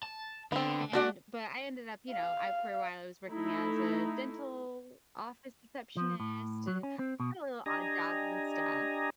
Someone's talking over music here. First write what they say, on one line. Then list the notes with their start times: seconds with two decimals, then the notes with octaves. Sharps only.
and but I ended up, you know, I for a while, I was working as a dental office receptionist and had a little odd jobs and stuff.
0.03 A5
0.52 D3 B3 C4
0.93 A3 A#3 D4 F#4 D5
2.11 F5
3.29 A3 D#4 E4
5.97 F3
6.20 A2
6.67 F#3
6.83 C#4
6.99 C4
7.20 B2
7.66 D4 G4 D#5 G#5 A#5